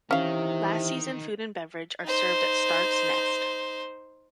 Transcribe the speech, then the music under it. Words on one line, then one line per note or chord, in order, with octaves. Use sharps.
Last season food and beverage are served at Stark's Nest.
C3 D#3 E3 C#4 F5
D#4 C5